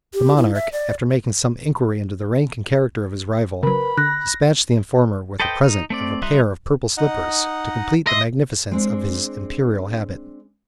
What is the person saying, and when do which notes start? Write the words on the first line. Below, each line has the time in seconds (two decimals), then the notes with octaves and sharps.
The monarch, after making some inquiry into the rank and character of his rival, despatched the informer with a present of a pair of purple slippers, to complete the magnificence of his Imperial habit.
0.14 G4
0.37 E4
0.54 E5
0.72 D5
3.63 C#3 F#3 A#4 B4 B5
3.98 D3 F#6 A#6
5.40 A4 B4 C5 D#5 G5
5.64 D#4
5.90 A3 C4 D5
6.22 G3 D#4 E5 C6 F#6
6.98 D#4 D#5 F#5
8.07 D#5 E5 C6
8.71 G#3 C4 D4